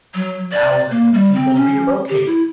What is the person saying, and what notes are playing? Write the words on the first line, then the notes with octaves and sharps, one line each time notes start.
Thousands of people relocated.
F#3
D5
A#3
G3
C4
C#4
G4
E4